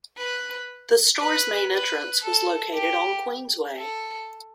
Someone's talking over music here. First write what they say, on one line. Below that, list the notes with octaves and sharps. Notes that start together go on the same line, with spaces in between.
The store's main entrance was located on Queensway.
B4
B4
B4
A4
G4
A4